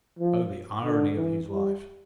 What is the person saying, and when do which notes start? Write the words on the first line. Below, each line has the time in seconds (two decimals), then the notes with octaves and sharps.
Oh, the irony of his life!
0.19 F3
0.84 D3
1.17 E3
1.49 G3